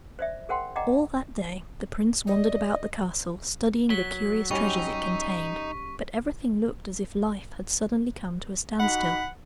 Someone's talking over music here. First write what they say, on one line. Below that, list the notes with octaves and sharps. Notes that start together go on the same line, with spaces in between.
All that day the prince wandered about the castle, studying the curious treasures it contained, but everything looked as if life had suddenly come to a standstill.
C5 D5 E5
G#4 A#4 C5 F#5 G5 C6
D5 D#5 F#5 G5 A#5 D6
D5 D#5
F#3 B6
G3 C#4 D#4 G4 C#6
D#4 F#4 F#5 B5